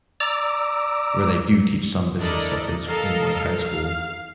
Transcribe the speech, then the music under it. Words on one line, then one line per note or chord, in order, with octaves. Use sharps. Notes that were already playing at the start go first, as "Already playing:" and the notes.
where they do teach some business stuff in s in, like, high school.
D5 A#5 D6 E6
D4 E4 A4 A#4 D5 D#5
A4 A#4 D#5 F5
F5